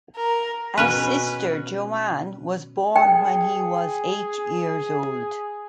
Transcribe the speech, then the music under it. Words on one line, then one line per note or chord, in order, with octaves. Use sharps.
A sister, Joanne, was born when he was eight years old.
A#4
B2 C#4 B4
G#4 G5